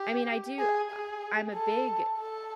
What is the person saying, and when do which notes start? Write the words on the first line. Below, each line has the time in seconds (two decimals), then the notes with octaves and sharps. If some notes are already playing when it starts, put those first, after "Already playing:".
I mean, I do I I'm a big,
Already playing: G4
0.59 G#4
0.91 G#4
1.54 A4
2.18 A4